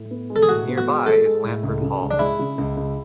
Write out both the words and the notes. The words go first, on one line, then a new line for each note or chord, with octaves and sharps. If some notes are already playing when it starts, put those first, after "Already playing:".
Nearby is Lamport Hall.
Already playing: A2
B3
G#3
A4
G#4
A2 F#4
B3
F#4
G#3
G#3 A4
G#3
A2
C#2
C#3
C#2
D4
G#3 E4
C#3
C#2
C#2